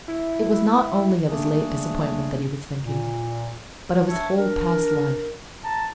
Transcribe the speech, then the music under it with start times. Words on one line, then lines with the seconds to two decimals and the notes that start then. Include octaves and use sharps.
It was not only of his late disappointment that he was thinking, but of his whole past life.
0.08 E4
1.26 G3 A3 A#3 D4 G#4
2.82 A#2
4.08 D4 C#5 E5 A5
4.36 D4 A#4
5.64 A5 A#5